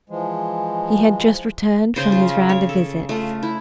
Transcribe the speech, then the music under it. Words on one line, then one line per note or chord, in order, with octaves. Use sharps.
He had just returned from his round of visits.
E3 F3 G#3
C#3 C5
F4
C#5
A4
A3 F4
E4